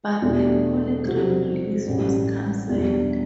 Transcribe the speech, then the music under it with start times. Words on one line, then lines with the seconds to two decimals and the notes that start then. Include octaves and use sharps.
But the PolyGram release was canceled.
0.22 E2 B2 A3 D4 G4
1.04 C3 G3 C4 F#4
1.87 A1 A2 G3
2.69 E2 B2 G3 D4